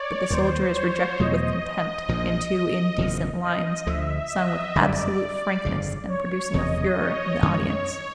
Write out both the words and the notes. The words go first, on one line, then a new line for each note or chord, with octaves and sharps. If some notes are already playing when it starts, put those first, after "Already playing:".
But the soldier is rejected with contempt, in two indecent lines, sung with absolute frankness and producing a furore in the audience.
Already playing: C#5 D5
D#2 D#3 G3 C5
C#5
E2 B2 F#3 A3 D#5
D#5
A#1 A#2 F3 D#5
D#5
F1 D#2 D3 F3
D#5
D2 D3 F3 E5
D#5
G1 F#2 D3 G3 D5
G1 F2 C#3
C#5
F1 E2 C#3 D#5
C#5
F#2 D#3 G#3 C#4 C#5